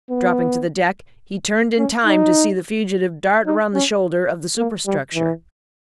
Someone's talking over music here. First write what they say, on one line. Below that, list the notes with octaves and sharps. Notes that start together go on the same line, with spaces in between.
Dropping to the deck, he turned in time to see the fugitive dart round the shoulder of the superstructure.
B3
C#4
D#4
D#4
C#4
A#3
G3
E3